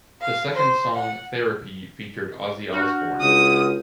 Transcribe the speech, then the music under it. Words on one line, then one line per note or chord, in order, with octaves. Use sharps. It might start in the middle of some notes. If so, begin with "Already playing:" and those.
The second song "Therapy" featured Ozzy Osbourne.
F5
C5
F#5
D4 F#4 F6 G6
C#2 D#6